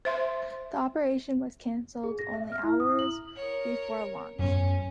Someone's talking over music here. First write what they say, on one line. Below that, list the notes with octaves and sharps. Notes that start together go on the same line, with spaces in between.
The operation was canceled only hours before launch.
C5 E5 C6
G#4
A#6
E5
F6
E4
D#6
F#7
A#4 C#5
F#2 B3 C#4